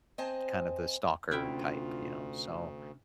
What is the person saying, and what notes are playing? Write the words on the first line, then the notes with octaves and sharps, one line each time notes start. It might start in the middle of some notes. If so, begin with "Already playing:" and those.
kind of the stalker type, you know? So,
C4 C5 D#5 G#5 A5
D2 C3 C#4 D4 E4 F4 E5 G5